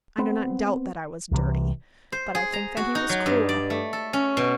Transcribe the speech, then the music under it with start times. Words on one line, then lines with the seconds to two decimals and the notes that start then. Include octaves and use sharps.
I do not doubt that I was dirty;--but I think that he was cruel.
0.18 B3 C4
1.31 C2 C3 E3
2.12 C5
2.35 G#4
2.53 A#5
2.77 F#4
2.95 D#4
3.09 F#3
3.26 G2
3.49 D5
3.70 A3
3.93 A4
4.13 C#4
4.37 B2